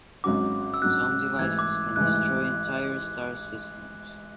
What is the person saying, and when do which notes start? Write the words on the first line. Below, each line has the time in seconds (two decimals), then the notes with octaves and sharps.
Some devices can destroy entire star systems.
0.24 G#1 G#2 F#3 C#4 F#4 D6
0.74 E6
0.82 G#1 G#2 F#3 C#4 F#4 F#6
1.39 A1 G#2 E3 G#6
1.59 D6
1.96 A1 G#2 E3 F#6